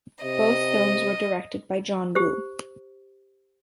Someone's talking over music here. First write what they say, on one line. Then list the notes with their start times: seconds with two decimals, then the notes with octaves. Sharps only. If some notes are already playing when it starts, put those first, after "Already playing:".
Both films were directed by John Woo.
0.24 C3 D#5
2.15 G4 C5